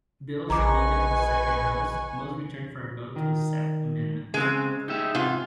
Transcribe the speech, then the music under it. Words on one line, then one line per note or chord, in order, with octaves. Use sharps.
Bills amended in the second house, must return for a vote to accept amendments.
A#1 B4 D#5 G#5 A#5 C#6 D6
D#3
C#3 G#3 C4
D#4 G4 E5
G#2 C3 F4